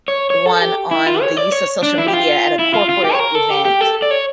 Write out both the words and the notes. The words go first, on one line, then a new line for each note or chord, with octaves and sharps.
one on the use of social media at a corporate event,
C#5
C#5
A4
G4
E4
F4
C#5
D5
C#5
D4
E4
G4
F4
E4
F4
F4
G4
C#5
A#4
A4
G4
G4
A4
D5
C#5